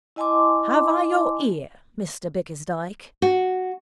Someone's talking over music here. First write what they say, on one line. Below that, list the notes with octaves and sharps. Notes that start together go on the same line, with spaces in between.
Have I your ear, Mr Bickersdyke?'
E4 D#5 G#5 A5 C6 D6
F#4